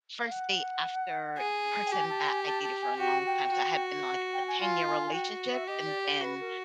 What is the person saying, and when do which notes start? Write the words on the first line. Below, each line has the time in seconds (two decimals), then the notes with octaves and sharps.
first date after person that I dated for a long time. So I had been, like, a ten-year relationship and then
0.20 F5
0.31 F#5
1.38 G#4
1.86 G5
1.91 G4 G#5
2.09 A5
2.20 G5
2.27 G#5
2.46 A5
2.63 A5
2.81 G#5
2.99 F#4 G5
3.26 G5
3.53 F#4
4.07 F#5
4.33 G5
4.47 G#5
4.60 F4 G#5
4.87 G#5
5.06 G#5
5.14 F#4 G5
5.50 E5
5.67 G4 D#5
5.86 D5
6.03 D5
6.21 F#4 B4
6.40 A#4